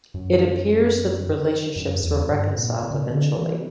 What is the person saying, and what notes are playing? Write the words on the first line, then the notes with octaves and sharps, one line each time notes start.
It appears that the relationships were reconciled eventually.
F#2
F#2
E2
G2
A#2
B2
C#3
B2
D3
E3